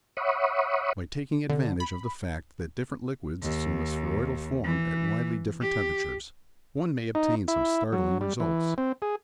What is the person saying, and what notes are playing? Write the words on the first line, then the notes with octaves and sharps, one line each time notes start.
By taking advantage of the fact that different liquids assume a spheroidal form at widely different temperatures, one may obtain some startling results.
C#5 E5 F#5 B5 C#6 D#6
D3
B5
D#2
E3
G4
D#4
E4
F#3
G3
E3
C4
G#4